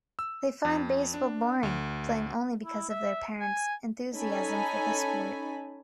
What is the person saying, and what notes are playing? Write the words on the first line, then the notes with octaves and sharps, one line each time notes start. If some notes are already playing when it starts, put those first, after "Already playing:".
They find baseball boring, playing only because of their parents' enthusiasm for the sport.
E6
F2
D4
D2
E4
E5
G#5
C#4 D#4 A4 G#5 B5